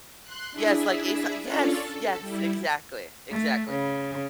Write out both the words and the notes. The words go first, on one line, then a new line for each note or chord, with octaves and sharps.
Yes, like, Aeso yes, yes, exactly, exactly,
C6 F#6
D4 E4 G#4 E5
C#4 D4 F4 A4 C#5 D5
A4
G3 E4
A3
C#3